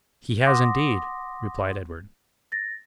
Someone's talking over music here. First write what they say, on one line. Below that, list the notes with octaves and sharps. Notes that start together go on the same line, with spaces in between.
"He has, indeed," replied Edward.
F#5 C6 D6 D#6 A#6
A6 A#6